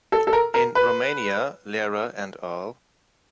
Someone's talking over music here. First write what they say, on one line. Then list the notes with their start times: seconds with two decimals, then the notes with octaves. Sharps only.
In Romania, Lehrer and al.
0.12 A4
0.27 A4
0.33 A#4
0.54 A#4
0.75 B4